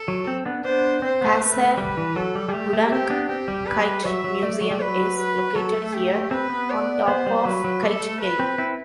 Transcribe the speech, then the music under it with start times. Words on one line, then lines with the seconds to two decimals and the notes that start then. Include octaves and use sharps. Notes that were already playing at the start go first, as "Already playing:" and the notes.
Pasir Gudang Kite Museum is located here, on top of Kite Hill.
Already playing: A4
0.08 F#3
0.27 C4
0.45 B3 D4
0.64 B3 D4 C5
1.02 C4 C5
1.21 B3
1.40 A3 B4
1.78 G3
1.97 E3
2.16 F#3 A4
2.35 G3
2.49 G3
2.53 A3 G4
2.73 A3
2.92 C4 G4
3.10 B3 D4
3.29 C4 G4
3.48 G3
3.67 G3 B4
4.05 F#3 E5
4.24 F#3
4.43 A3 D5
4.61 F#3
4.71 G3
4.80 F#3 B4
5.18 B4
5.55 F#3 A4
5.75 A3
5.94 G4
6.31 C4 B4
6.50 B3
6.70 D5
7.07 B3 C5
7.26 G3
7.45 F#3 B4
7.64 F#3
7.82 G3 A4
8.01 A3
8.21 B4
8.39 C4
8.58 C4 E4